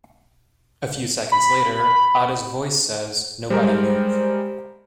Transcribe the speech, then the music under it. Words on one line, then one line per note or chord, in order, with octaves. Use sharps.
A few seconds later, Atta's voice says, Nobody move.
B5
G3 G#3 A#4 C5